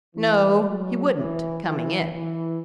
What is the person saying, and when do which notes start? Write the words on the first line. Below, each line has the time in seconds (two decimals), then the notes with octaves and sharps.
"No, he wouldn't, coming in."
0.15 E3
0.65 F#3
1.15 E3
1.64 E3
2.14 E3